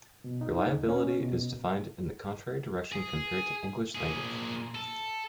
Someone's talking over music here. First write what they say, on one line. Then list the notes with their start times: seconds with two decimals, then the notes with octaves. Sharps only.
Reliability is defined in the contrary direction compared to English language.
0.24 B2
0.41 D#4
0.67 D#2
0.89 C#4
1.20 B2
2.92 G#4
3.95 A#2 G#4
4.75 A4